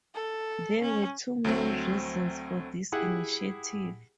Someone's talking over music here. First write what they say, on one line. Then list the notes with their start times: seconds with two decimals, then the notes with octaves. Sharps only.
There were two main reasons for this initiative.
0.15 A4
0.81 C#4
1.44 D2 F#3 A3 C4
2.92 E4 G4 G#4 F#5